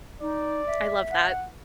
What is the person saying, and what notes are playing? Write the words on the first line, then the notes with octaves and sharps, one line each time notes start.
I love that.
D#4 D5
E5
F#5